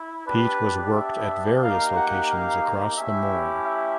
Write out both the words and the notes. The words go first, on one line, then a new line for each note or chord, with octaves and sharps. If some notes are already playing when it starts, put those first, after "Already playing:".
Peat was worked at various locations across the moor.
Already playing: E4
B3 D4 G4 B4
E5
A#3 D#4 G4 F5
F#5
F5
A3 C#4 E4 G4 E5
E5